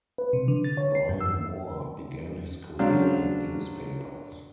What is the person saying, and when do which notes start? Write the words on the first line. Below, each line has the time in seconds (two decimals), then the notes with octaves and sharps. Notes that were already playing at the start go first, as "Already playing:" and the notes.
Brian Moore began his career in newspapers.
0.18 B4
0.33 C3
0.48 D3
0.64 A6
0.77 C#5
0.95 C7
1.09 F#2
1.21 E6
2.79 C#3 F#3 D4 C5 F5 F6